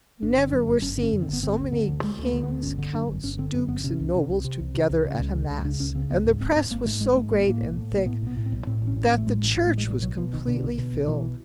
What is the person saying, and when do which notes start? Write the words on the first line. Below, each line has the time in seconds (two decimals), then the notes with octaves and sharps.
Never were seen so many kings, counts, dukes, and nobles together at a Mass, and the press was so great and thick that the church was completely filled.
0.22 G1 D4
0.37 D3
0.52 F#2
0.67 G1
0.82 G1 C#4
0.97 D3
1.03 C#4
1.13 F#2
1.22 C4
1.28 G1
1.33 B3
1.43 D3 C4
1.58 D2
1.72 D3
1.88 D2
2.03 D3 G#3
2.18 D2
2.23 A#3
2.33 D3
2.44 B3
2.48 D2
2.63 G1 C#4
2.79 D3
2.93 F#2 D4
3.08 G1
3.23 G1 C#4
3.38 D3 C4
3.54 F#2 C4
3.68 G1 B3
3.78 C4
3.84 C3 C#4
4.00 C2
4.15 C3
4.29 C2
4.44 C3
4.59 C2
4.75 C3
4.90 C2
5.05 C#3
5.19 C#2
5.34 C#3
5.50 C#2
5.64 C#3 D4
5.80 C#2 C#4
5.95 C#3 C4
6.10 C#2 B3
6.25 G#2 G#3
6.40 G#1 C4
6.56 G#2 C4
6.70 G#1 A#3
6.85 G#2 A3
7.01 G#1 G#3
7.15 G#2 A3
7.31 G#1 A#3
7.40 B3
7.46 A2 A#3
7.61 B1
7.76 A2
7.91 B1
7.97 A#3
8.06 A2 B3
8.21 B1
8.27 B3
8.37 A2
8.46 C4
8.52 B1
8.67 A2 C4
8.82 A1
8.87 C#4
8.97 A2
9.07 C#4
9.12 A1
9.18 A3
9.27 A2 G#3
9.42 A1
9.57 A2
9.67 A3
9.72 A1
9.78 G#3
9.87 B2 G3
10.02 B1 F#3
10.17 B2 F3
10.33 B1 D#3
10.47 B2 D3
10.63 B1
10.78 B2
10.93 B1
11.07 B2 E3